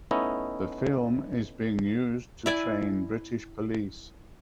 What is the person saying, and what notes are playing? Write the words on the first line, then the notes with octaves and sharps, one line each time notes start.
The film is being used to train British police.
A3 B3 C#4 D#4 E4 D#5
E4 D5 G#5